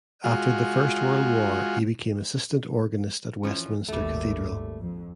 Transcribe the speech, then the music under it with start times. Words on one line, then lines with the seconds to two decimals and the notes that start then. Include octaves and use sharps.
After the First World War he became assistant organist at Westminster Cathedral.
0.24 G#3 F4 F#4
3.43 E3 F3 C#4
3.88 G#1 D#2 G3 A3
4.79 F2